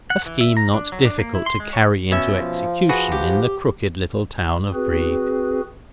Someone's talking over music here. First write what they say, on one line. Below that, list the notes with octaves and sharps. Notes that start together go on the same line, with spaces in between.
A scheme not difficult to carry into execution in the crooked little town of Brieg.
F#5
E3
E5
A#5
D4
F#3
D4
A#3
E4
C6
G#3
C#5
B2 C#4 E5
F3
F#4 G#4 B4
G4
C4 F#4 G#4 B4